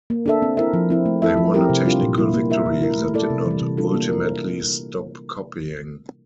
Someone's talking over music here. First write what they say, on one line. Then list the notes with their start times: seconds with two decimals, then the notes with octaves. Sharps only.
They won a technical victory that did not ultimately stop copying.
0.10 A#3
0.26 D4 A4 E5
0.42 C4
0.57 E4 A#4 E5
0.73 F3
0.90 C4 E4
1.06 A3
1.22 E4 A4 E5
1.37 F3
1.54 C4 E4 G4 A#4
1.70 C3
1.85 G3 D4 F4
2.02 A#2
2.18 G3 A#3 E4
2.34 A#3
2.50 E4 A#4 E5
2.66 A#3
2.81 E4 A#4
2.98 A3
3.14 E4 A4 D5
3.30 C3
3.46 E3 G3
3.61 C3
3.77 G3 D4 F4 A4
3.94 A#3
4.09 E4 A#4